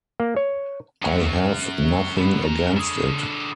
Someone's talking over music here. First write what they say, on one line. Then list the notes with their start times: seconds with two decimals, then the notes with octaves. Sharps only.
I have nothing against it.
0.20 A#3
0.36 C#5
1.02 F#2 F#3
2.18 D3 B3
2.45 C#4 A#5
2.76 D3 G#4